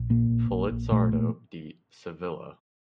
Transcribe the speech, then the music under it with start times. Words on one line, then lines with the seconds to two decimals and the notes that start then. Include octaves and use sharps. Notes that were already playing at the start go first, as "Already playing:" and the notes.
Felizardo D. Sevilla.
Already playing: A#1
0.10 A#2 A#3
0.30 A#1
0.50 A#1
0.71 A#1
0.91 A#2 A3
1.12 A#2